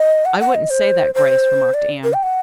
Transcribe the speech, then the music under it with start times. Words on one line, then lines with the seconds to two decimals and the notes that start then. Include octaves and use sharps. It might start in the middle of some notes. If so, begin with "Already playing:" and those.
"I wouldn't say that, Grace," remarked Anne.
Already playing: D#5
0.25 F#5
0.40 F#5
0.55 D#5
0.70 C5
1.15 C5
1.74 D5
2.04 A#4
2.13 G5
2.23 F#5